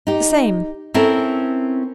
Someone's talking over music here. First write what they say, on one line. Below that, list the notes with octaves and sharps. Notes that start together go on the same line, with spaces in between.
"The same."
D#4 G4
C4 C#4 E4 A4 A#4